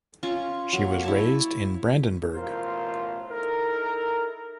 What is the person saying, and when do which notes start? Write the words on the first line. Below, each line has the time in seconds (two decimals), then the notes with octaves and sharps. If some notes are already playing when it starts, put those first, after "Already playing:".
She was raised in Brandenburg.
0.23 C#4 F4 C#6
0.73 F#3 A#3
1.03 E4 C#5 A5
2.34 A1 B2 E3 F4 A#4 C5
3.30 D#4 E4 A4 A#4